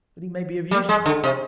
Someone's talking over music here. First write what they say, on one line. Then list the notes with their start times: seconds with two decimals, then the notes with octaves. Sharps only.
"But he may be of use to us."
0.71 G3
0.89 G#3
1.06 D3
1.24 C3